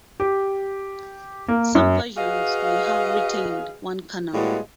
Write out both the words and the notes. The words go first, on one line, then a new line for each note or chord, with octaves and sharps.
Some versions may have retained one cannon.
G4
A#3
F#2
F#4 G#4 B4 D#5 F5
A2 G3 G#3 B3 F#4 F5